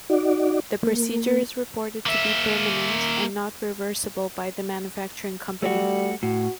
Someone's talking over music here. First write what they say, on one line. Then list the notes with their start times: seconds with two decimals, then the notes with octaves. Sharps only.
The procedure is reported to be permanent and not reversible by the manufacturing company.
0.09 D#4 F#4 D5
0.83 A#3
2.06 A#3 E5
5.62 G3 A3 F#4
6.23 A2 F#4